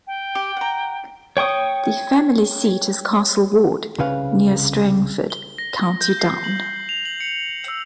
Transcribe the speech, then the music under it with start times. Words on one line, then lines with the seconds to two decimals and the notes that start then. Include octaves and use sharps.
The family seat is Castle Ward, near Strangford, County Down.
0.07 G5
0.35 G4
0.57 F#5 A#5
1.37 C#5 G5 C#6 D#6
3.99 C2 C#3 B4 F5
5.30 G7
5.58 A#6
6.01 G6
6.19 C7
6.44 F#7
6.89 F7
7.05 F#7
7.21 C#7
7.68 E6